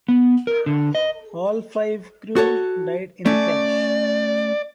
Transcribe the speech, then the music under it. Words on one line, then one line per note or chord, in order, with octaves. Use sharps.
All five crew died in the crash.
B3
A#4
D3
D#5
F#4 A4 C#5
A3 C#4 D5